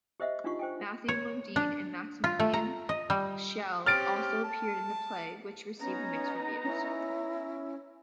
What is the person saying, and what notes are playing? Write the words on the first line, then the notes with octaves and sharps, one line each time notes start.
Matthew Modine and Maximilian Schell also appeared in the play, which received mixed reviews.
G4 C5 D#5 E5 F#5
D4 D#4 F4 G4 F#5 C#6
C5 G5 G#5
C#5
D4
F4
A3
A#5
D#5
G3
C4 C#4 G4 F6 A6 D7
A5
B3 C#4 D#4 A#5
C#4 E4